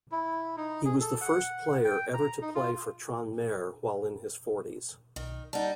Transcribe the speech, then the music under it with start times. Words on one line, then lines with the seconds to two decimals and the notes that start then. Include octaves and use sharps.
He was the first player ever to play for Tranmere while in his forties.
0.12 E4
0.57 D#4
0.85 G#4
1.00 A4
1.21 F#5
1.84 G5
2.14 A#5
2.41 D#4
2.55 F4
5.16 B1 D#3
5.53 G3 D#4 F#5 A5